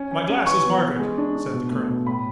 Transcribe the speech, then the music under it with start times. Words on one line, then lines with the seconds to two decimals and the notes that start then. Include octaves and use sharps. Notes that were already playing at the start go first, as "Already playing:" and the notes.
"My glasses, Margaret!" said the colonel.
Already playing: C#4
0.11 C#4
0.29 C#4
0.46 E3 C#6
0.65 B3
0.82 E3
0.99 G#3
1.18 D4
1.35 D4
1.52 B2
1.71 A3
1.88 B2
2.06 A2 B5